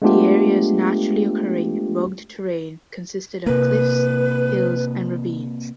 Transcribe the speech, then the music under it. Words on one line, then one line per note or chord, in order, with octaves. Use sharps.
The area's naturally-occurring, rugged terrain consisted of cliffs, hills and ravines.
G#3 A3 B3 D4 F4 G4
C3 A#3 B4